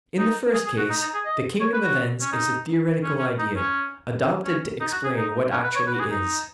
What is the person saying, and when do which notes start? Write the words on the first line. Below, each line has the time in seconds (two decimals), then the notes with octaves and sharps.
In the first case, the kingdom of ends is a theoretical idea, adopted to explain what actually is.
0.19 D#4
0.54 G#4
0.66 G#4
0.78 F#4
0.90 D#4
1.01 D#4
1.14 G#4
1.25 D#5
1.60 C#5
1.73 B4
1.84 F#4
2.21 C#4
2.33 D#4
3.03 C#4
3.19 C#4
3.39 D#4
3.56 C#4
4.45 C#4
4.81 D#4
4.92 F#4
5.04 G#4
5.17 D#4
5.51 C#4
5.64 B4
5.75 C#5
5.87 B4
5.94 F#4
6.00 G#4
6.11 D#4